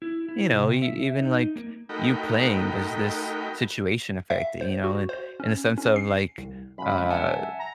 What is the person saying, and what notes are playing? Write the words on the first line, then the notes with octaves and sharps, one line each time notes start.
you know, e even, like, you playing, does this situation affect it, you know, and in a sense of, like, uh,
E4
E4
C3
E5
D#4
A#3
A3 D#4 F#4 A#4 G5 B5
E5
C5
F#4
C5
C#4
C#4
C7
C2
C#2 F#2 B5
E5 F#5 G#5 A5
A#5